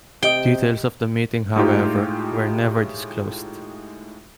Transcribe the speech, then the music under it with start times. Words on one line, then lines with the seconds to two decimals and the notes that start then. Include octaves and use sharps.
Details of the meeting, however, were never disclosed.
0.23 C3 G4 D#5 G5 D#6
1.56 A2 G#3 D#4 F4 G4